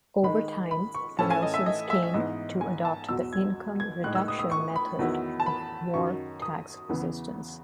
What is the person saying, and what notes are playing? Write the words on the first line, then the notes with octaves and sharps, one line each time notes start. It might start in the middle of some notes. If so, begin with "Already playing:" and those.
Over time, the Nelsons came to adopt the income-reduction method of war tax resistance.
D#3 G#3 D#4 B5
B5
C#6
A2 E3 A3 C#4 E4 A5
G#5
D#5
E5
D#5
E5
G#2 E3 B3 D#5
G#5
A5
E2 B2 F#3 E6
G#6
G#6
A2 G#3 D#4 F#6
E6
D#6
D#6
C#6
B5
E2 D#3 F#3 B3 E4
A5
B5
F#2 D#3 F#3 C#6
D#6
E2 C#3 E3 B3